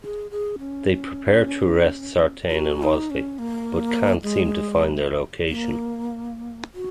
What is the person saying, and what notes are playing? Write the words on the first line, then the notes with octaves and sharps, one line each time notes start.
They prepare to arrest Sartain and Wasley, but can't seem to find their location.
G#4
G#4
C#4
F4
F#4
D#4
C#4
A#3
G#3
A#3
F#4